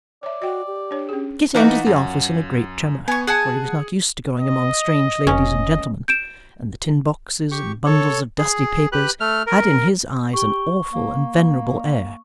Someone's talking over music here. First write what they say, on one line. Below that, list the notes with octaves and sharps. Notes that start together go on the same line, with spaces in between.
Kit entered the office in a great tremor, for he was not used to going among strange ladies and gentlemen, and the tin boxes and bundles of dusty papers had in his eyes an awful and venerable air.
C#5 D5 E5
F#4 D#5 G5
G4
D4 C#5
C#4 G#4
E3 D#4 F4 F#4 B4 D6
F#2
B3 G#5 C#6
G#4 F#5 G#5 A5 C#7
D#5
F1 C#4 D#5
G6 D7 E7
G4 C#6
A4 C#5
G#4
G4 B4 F#6
A3 F6
A#4
G4 C#6 G7
A#3